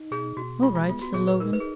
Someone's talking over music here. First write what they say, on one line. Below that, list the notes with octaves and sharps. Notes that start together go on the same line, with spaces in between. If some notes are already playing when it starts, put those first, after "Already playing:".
"All right," said Logan.
Already playing: D#4
B2 G#4
B2 F#4
G#3 F4
F4
B3 F4
F#4
A#2 G#4
B4
D#4 A#4
B4
G#4